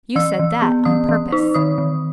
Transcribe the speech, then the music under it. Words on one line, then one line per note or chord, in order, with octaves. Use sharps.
You said that on purpose!
E3 E6
E3
B3
E3 D#6
E3
D#4
D#3 D#6
D#3